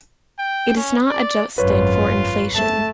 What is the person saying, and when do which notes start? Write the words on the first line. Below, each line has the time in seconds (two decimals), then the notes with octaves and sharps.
It is not adjusted for inflation.
0.38 G5
0.76 C#4
1.09 D5
1.58 G#1 F#2 F4 B4 C#5
2.55 A3 A5